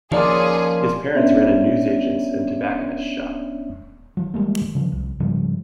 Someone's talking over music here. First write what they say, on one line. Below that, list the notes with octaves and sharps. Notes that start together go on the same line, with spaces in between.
His parents ran a newsagent's and tobacconist's shop.
F3 A#3 C#4 D#4 F4 G#4 D5
B3 C#4 D4 C#5 D5 E5
E3 F#3
E3 G3 G#3 A#3
C#3 F3 F#3
C2
G#2 C#3 F3 G3